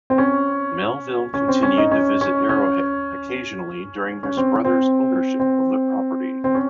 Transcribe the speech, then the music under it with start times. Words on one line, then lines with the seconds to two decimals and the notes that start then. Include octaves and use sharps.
Melville continued to visit Arrowhead occasionally during his brother's ownership of the property.
0.10 C4
0.18 C#4
1.34 C#4
1.48 C4
1.63 C#4
1.78 D#4
1.91 C#4
2.21 C#4
2.49 C#4
4.23 C#4
4.37 C4
4.65 C4
5.40 C4
6.44 C4
6.55 C#4